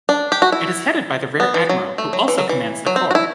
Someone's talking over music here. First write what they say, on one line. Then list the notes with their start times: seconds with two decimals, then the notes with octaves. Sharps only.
It is headed by the Rear Admiral, who also commands the Corps.
0.09 D4
0.32 G4
0.42 F#4
0.52 E4
1.40 B3
1.54 E3
1.69 F#3
1.98 A3
2.13 F#3
2.28 E3
2.38 F#3
2.49 E3
2.87 F#3
2.96 C4
3.11 F#4
3.15 E4